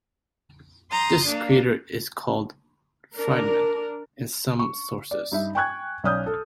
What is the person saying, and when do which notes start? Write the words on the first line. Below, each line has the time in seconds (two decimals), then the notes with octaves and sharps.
This crater is called Friedmann in some sources.
0.90 A#5 C6 D#6 G6 A6
1.25 A#3 D4
3.15 D4 A#4
4.59 C#6
5.11 D5
5.32 G2 D#4 E5
5.55 G5 G#5 C#6 F#6 G#6
6.04 B1 C#4 D5 D#6 F6 G6
6.26 A4